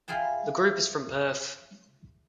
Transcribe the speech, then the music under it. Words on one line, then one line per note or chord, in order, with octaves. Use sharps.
The group is from Perth.
E4 F4 G#4 G5 A5